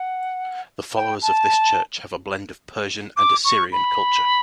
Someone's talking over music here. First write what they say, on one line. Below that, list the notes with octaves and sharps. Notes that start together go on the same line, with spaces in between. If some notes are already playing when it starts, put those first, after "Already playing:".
The followers of this church have a blend of Persian and Assyrian culture.
Already playing: F#5
G5
A5
D6
C#6
B5